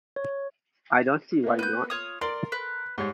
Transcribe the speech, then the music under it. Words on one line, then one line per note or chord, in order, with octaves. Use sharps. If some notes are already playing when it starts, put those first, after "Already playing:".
I don't see why not.
C#5
A#3 B3
B4 G6
F4 C#5 D#6
A#4 D5 C6
B4
G#2 G3 C#5